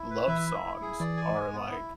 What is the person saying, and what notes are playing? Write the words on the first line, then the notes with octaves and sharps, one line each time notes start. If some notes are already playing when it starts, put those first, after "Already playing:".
love songs are, like
Already playing: E4
B4
E3 E5
E4
E4
G#4
E3 D5
G#5
G#3
B3
E4